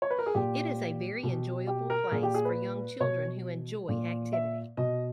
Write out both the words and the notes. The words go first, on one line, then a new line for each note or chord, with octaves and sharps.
It is a very enjoyable place for young children who enjoy activity.
C#5
B4
A#4
G#4
A#2 G4
B2
G4
A#4
A#2 G#4
G4
G#4
B4
B2 C#5
A#2
E5
B2 D#5